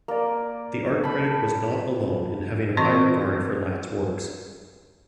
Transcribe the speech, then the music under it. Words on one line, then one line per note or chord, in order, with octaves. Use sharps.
The art critic was not alone in having a high regard for Lat's works.
A#3 D5
A5 B5
E3 C4 F#4 C5 D#5 C#6